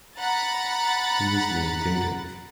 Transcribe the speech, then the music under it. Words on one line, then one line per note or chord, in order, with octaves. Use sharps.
He was made Datuk.
F#5 A#5 B5 F#6 A6